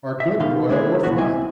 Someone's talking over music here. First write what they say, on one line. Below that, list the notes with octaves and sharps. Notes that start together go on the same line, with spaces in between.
Are good, broiled or fried.
E5
B2 D#3 F5 C6
G#3 A#3 D4 E4 F#4 G#4
C2 A#2 E3 B3 F#4
C4 E4 C5 D#5 E5 G#5